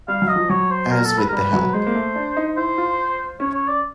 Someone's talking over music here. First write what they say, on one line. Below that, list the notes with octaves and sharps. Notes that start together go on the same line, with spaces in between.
As with the Help!
G3 F5
F#3
D#5
F3
F#3 C#5
C5
A#4
A4
B4
A#4
G3 B4
F#3
G#3 C5
A#3
A3
D4
D#4
E4 C5
F4
C#4 C#5
C#5
D5